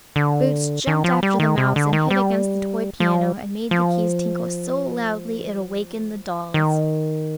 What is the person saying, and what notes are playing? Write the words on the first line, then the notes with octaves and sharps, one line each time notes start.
Boots jumped after the mouse, and hit against the toy piano and made the keys tinkle so loudly it awakened the dolls.
D3
D#3
F3
G3
D#3
C3
D3
D#3
G3
F3
F3
D#3